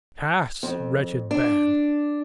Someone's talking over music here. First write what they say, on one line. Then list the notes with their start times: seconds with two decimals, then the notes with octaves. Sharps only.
Pass, wretched band!
0.63 F2
1.31 D4